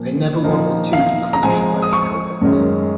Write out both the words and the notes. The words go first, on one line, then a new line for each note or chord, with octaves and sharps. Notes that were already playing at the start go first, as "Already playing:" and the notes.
I never want the two to clash if I can help it.
Already playing: A#2 F3 A#3
A#2 F3 A#3 D#4
F5
A#5
C3 F3 G#3 C4 G#5
D#6
C#6
F#2 D#3 G#3 C#4